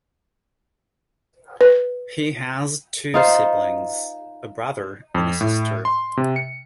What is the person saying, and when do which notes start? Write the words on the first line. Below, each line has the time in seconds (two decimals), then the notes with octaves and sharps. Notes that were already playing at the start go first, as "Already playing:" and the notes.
He has two siblings, a brother and sister.
1.61 B4
3.14 D#4 F4 C5
5.15 F2
5.41 A2
5.85 C6
6.17 C3
6.36 C#7